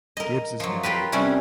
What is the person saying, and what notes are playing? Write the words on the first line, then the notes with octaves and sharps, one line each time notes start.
Gibbs is married.
A#4 D#5
F3 F#3
F4 G4 A#4 B4
C3 G3 C#4 D4